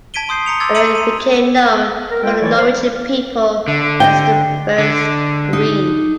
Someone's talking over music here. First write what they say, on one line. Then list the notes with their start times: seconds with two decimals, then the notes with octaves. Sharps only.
And it became known for the Norwegian people as the first “green”.
0.14 A5 G#6 B6 D7 D#7 G7
0.29 C6 D#6 G6 C7
0.46 A#5 C#7 F7
0.60 C6 D6 E6 G#6 A6
0.75 A#5 E6 G#6 C#7 D#7 F#7
0.95 C6 D#7
2.10 A#4
2.23 G#3 F4 A4 B4 G5
2.40 E3 F#3 G#3 E4 C#5 D5
2.56 C5
3.68 D3
4.00 D#5 E5 G5
4.78 D3
5.53 D#4